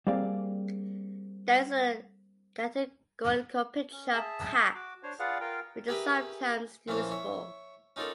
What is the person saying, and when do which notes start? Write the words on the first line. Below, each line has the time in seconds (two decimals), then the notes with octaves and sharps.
There is a categorical picture of paths which is sometimes useful.
0.07 G3 A#3 C4 G#4 D5 F5
3.92 C#4
4.13 G#4 E5 A5
4.75 F#4 D6
5.03 D4 C5 C#5
5.19 F4 G#4 B4 D5 F5 F#5
5.41 F4 A#4 F5 G5
5.88 G4 G#4 A#4 B4 E5 G5
6.88 A#2 E3 F3 C#4 C#5 F5
7.12 C#5 E5
7.96 C#4 D#4 F4 A4 A#4 D5